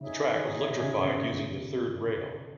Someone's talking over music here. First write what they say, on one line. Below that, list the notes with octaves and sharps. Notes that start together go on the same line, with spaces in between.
The track was electrified using the third rail.
C#3 D#4 G#4 C#5 E5
D#3
B2
C#3
B2
C#3